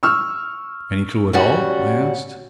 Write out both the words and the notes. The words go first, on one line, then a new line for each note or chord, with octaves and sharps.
"Any clew at all?" I asked.
C#6 E6 F6
C#3 G3 F#4